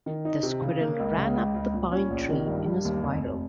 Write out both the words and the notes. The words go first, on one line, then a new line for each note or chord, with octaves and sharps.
The squirrel ran up the pine tree in a spiral.
D#3
D#4
C3
C#3
A#3
C#2
C#3
C#2
C#2
A#2
C#4
A#1
D#3
G2
G2
D#2
F1
F1